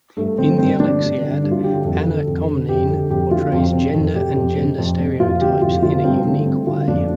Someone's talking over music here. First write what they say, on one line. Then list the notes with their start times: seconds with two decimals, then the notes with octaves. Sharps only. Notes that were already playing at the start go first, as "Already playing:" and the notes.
In the "Alexiad", Anna Komnene portrays gender and gender stereotypes in a unique way.
0.17 G2 A3
0.38 D3 C4
0.58 G2 C4
0.80 D3 D4
1.01 G2
1.22 D3
1.43 G2
1.51 F4
1.63 D3 G4
1.84 F2 A4
2.05 D3
2.27 F2
2.47 D3
2.69 F2 G4
2.89 D3 A4
3.10 F2 G4
3.31 D3 F4
3.52 F2 C4
3.73 C3 C4
3.94 F2 A4
4.15 C3 G4
4.36 F2
4.57 C3
4.78 F2
4.99 C3
5.20 F2 F4
5.41 D3 G4
5.62 F2 F4
5.83 D3 F4
6.03 G2 C4
6.25 D3 A3
6.45 G2 C4
6.66 D3 F4
6.87 F2 D4